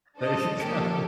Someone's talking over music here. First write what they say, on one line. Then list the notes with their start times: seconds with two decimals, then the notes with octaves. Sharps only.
There you go.
0.19 D4 A4 C5 D#5
0.59 F3 A#3 C#4 G4 A4